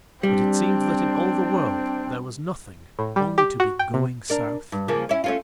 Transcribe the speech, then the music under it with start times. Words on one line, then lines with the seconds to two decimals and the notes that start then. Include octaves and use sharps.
But it seemed that in all the world there was nothing only to be going South.
0.23 G3 C4 D4
2.99 A2
3.16 G3
3.38 G4
3.60 F#4
3.79 G5
3.94 C3
4.30 D4 A#4
4.72 G2
4.88 C#3 F3 A#3
5.09 C#4 E4
5.24 A3 C#4 F4